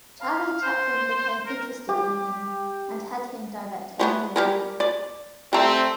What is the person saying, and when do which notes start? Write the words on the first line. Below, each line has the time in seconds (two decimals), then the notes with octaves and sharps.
Charlie Chaplin became interested in him, and had him direct a film.
0.21 F5
0.62 C5
1.46 A#4
1.89 G4
4.00 F3 A3 B3
4.36 G3 G4 A#4
4.80 D5
5.53 G3 A3 C4 A#5